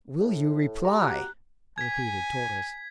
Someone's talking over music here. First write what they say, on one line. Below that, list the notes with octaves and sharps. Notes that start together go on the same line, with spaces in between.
"Will you reply?" repeated Torres.
A2
G4 A#5
F#4 F#6
G#5 G#6 B6